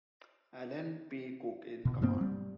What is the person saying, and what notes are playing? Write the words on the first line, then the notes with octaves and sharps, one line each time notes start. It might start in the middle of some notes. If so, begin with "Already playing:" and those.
Allen P. Cook in command.
B2
G2 B2 A#3 C4
G3